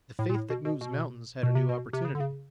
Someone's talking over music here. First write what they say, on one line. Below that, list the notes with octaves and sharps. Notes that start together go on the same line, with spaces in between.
The faith that "moves mountains" had a new opportunity.
A2
A#2
A2
B2
B2
B2
B2
C3
B2
C3
C#3
D3
C#3